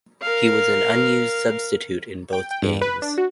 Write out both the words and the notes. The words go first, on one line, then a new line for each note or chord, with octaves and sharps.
He was an unused substitute in both games.
A#4 F5
G5
G5
G2
B4
D4
F#4